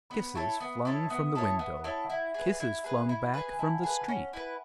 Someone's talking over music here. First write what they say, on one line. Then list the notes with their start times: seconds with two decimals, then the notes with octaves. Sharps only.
Kisses flung from the window; kisses flung back from the street.
0.10 B3 B5
0.35 E4 A4 C#5 C#6
0.60 B3 D#6
0.85 E4 A4 C#5
1.10 B3 D#6
1.27 D#6
1.35 E4 A4 C#5
1.43 D#6
1.59 B3 F#5
1.84 E4 A4 C#5
2.04 F#5
2.09 E4 E5
2.34 G#4 B4
2.60 E4
2.84 G#4 B4
3.09 E4 B5
3.34 G#4 B4
3.53 G#5
3.59 E4 A5
3.74 F#5
3.83 G#4 G#5
3.86 B4
4.01 G#5
4.08 C#4 F#5
4.33 E4 B4